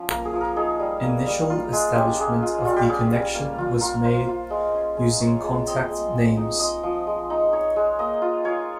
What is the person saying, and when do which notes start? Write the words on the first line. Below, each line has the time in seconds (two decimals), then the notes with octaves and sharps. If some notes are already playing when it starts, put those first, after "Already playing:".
Initial establishment of the connection was made using contact names.
Already playing: F3 C#4
0.10 A#3 A#4
0.25 G#4
0.33 F3
0.41 A#4
0.56 D#4 G#4
0.79 G3
1.03 A#3
1.27 G3
1.50 F4
1.73 G#3
1.95 C#4 G4
2.20 G#3
2.43 F4
2.65 G3 F4
2.76 G4
2.89 C#4 G#4
3.12 G3
3.35 A#3
3.58 F4
3.81 F4 A#4
4.05 A#3 C5
4.28 F4
4.50 G#3
4.74 C#4
4.97 G#3
5.20 F4 C#5
5.43 G#3
5.67 C4 D#5
5.90 G#3
6.14 C4
6.37 D#4
6.59 G#3 D#5
6.83 F3
7.07 G#3
7.30 D#4
7.52 D#4 C#5
7.76 G#3
7.99 A#3 D#5
8.22 F4
8.45 F4 C#5